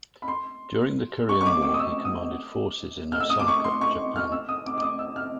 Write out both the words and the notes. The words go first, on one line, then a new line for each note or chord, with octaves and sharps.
During the Korean War he commanded forces in Osaka, Japan.
B5
C6
C#6
C#6
D6
D6
D#6
E6
D#6
F6
E6
D#6
D6
C#6
C6
C#6
F6
E6
D#6
D6
D6
D#6
E6
F6